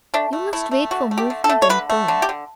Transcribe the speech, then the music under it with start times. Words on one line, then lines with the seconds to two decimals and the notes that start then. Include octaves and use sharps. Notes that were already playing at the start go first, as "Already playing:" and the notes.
You must wait for movement and tone.
0.14 A3 D4
0.33 A3
0.53 A3 E4
0.71 A3
0.91 D3 F#4
1.11 A3
1.18 G4
1.30 D3
1.44 A4
1.49 A3
1.62 C#5
1.69 D3 B4
1.90 A3
2.08 D3
2.22 G4
2.29 D3